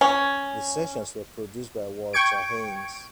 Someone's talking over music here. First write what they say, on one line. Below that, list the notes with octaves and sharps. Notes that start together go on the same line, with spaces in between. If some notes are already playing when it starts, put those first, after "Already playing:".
The sessions were produced by Walter Haynes.
C#4
G5 C#6 G#6 D7